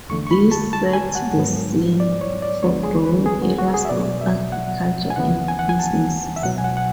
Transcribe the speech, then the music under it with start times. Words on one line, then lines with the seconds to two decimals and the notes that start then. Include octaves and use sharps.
This set the scene for growing areas of agriculture and businesses.
0.09 E2 D3 A3 C#6
0.27 C#6
0.31 B5
0.51 A5
0.73 A5
0.93 G#5
1.15 F#5
1.37 G#2 F#3 B3
2.00 D5
2.21 C#5
2.42 D5
2.62 D2 D3 G#3 B3 C#5
2.83 G#4
3.05 B4
3.26 G#4
3.42 F#4
3.58 F#4
3.74 G#4
3.85 E5
3.89 B2 F#3 B3 D5
4.21 E5
4.52 F#5
5.10 G#5
5.16 D2 C#3 E3 B3 F#5
5.48 G#5
5.59 F#5
5.69 G#5
5.79 A5
6.36 E5
6.42 C#2 B2 F#3 F#5
6.58 G#5
6.64 F#5
6.77 F#5